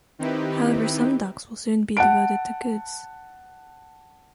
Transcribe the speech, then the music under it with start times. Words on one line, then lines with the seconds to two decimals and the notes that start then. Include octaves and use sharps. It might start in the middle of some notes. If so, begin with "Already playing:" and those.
However some docks will soon be devoted to goods.
0.19 D#3 C4 D#4 E4 G4 B4
1.97 F#5 A5 D7